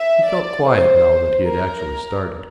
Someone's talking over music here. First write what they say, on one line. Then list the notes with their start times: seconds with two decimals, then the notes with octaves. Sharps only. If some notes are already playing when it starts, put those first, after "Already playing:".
He felt quiet now that he had actually started.
Already playing: E5
0.30 D5
0.69 C5
1.45 A#4